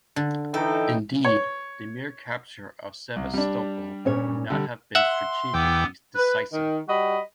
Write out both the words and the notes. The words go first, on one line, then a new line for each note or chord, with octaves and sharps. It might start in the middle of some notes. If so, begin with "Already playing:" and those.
Indeed, the mere capture of Sevastopol would not have been strategically decisive.
D3
E3 D#4 A4 G5
C#5
C2
G3 D4
A#2 C#4 C#5
D3 G3
E5 F#5 C6
E2 B3 G5 D6 E6
B4
D#3
G3 F#4 D#5 B5